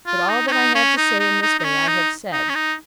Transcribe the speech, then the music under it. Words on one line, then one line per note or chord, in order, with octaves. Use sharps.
But all that I have to say in this way, I have said.
F4
D#4
C#4
D#4
C#4
D#4
D#4
D#4
D#4
C#4
D#4
D#4
C#4
D#4